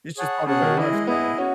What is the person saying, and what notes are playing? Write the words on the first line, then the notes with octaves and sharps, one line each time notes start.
It's just part of their lifestyle.
G#4 C#5 F#5 A5
C#3 G#4 C#5 F#5 A5
D#3
E3 E4 G#4 D#5
G#3
B3 E4 G#4 D#5
C#4 F#4